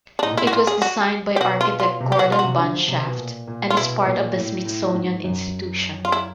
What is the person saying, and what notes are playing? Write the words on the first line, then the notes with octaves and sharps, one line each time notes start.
It was designed by architect Gordon Bunshaft and is part of the Smithsonian Institution.
D4
A2 D#4
A#2
A2 E4
F#4
F4
G#4
F#4
G4
B2 F#4
F4
F4
C3
G4
B2 F#4
F4
F#4
C3
D3
F3
C3
B2
A#2
A#2
F4
B2 E4
A#2
A2
A2
G#2
F#2
F4
E4